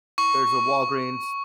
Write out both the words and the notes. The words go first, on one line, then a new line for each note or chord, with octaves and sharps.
there's a Walgreens
C#6